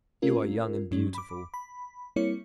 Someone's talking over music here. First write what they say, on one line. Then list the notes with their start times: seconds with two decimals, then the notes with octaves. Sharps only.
You are young and beautiful.
0.22 A3 C#4 F4 A#4
0.91 G2 F#3 C#4
1.14 B5 D6
1.54 B5
2.16 G3 A#3 C4 E4 C#5 C#7